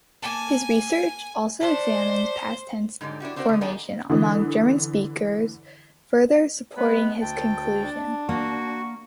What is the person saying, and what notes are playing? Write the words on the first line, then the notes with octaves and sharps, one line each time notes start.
His research also examines past-tense formation among German speakers, further supporting his conclusion.
A#3 G#5 A5
A3 D4 C5
G#2 D3 F#3 G3
D4 E4 F#4 G4
C4 D4 F4 F#4 G#4 C5
D3 D#5
G#2 D#3 B3 D4 G#4
D3 E3 D#6
G#3 B3 B4
D2 G5 A5
D4
A#3 F#4 C#6